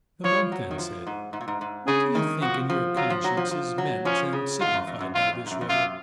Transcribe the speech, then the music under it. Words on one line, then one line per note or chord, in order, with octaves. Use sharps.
The monk then said, What do you think in your conscience is meant and signified by this riddle?
F3 C#5
F#3
D#3
F3
G#2
G#2
A#2
G#2
G#2
C#3 G#4
D#3
F3 F#4
F3
F#3 F4
F3
F#3
F3
F3
F#3
F3 C#4
C#3
G#2 F4
F#2
F2
F#2
F2 F4
F2
G#2
F#2
F2
F#2 F4